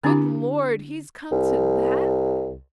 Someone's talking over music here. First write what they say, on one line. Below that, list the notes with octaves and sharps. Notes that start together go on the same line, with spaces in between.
"Good Lord, he's come to that!"
D3 C4 D4 E4 G4 D6
C2